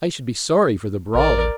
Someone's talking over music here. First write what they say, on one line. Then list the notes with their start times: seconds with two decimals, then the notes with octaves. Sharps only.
"I should be sorry for the brawler."
1.14 A1 A#4 D5